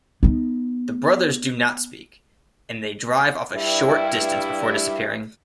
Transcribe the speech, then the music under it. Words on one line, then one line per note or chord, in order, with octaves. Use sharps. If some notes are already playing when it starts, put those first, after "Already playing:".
The brothers do not speak, and they drive off a short distance before disappearing.
B3 D#4
G2 G3 E4